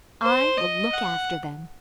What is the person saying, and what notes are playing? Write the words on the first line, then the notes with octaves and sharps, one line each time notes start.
"I will look after them."
C5
D#5
F#5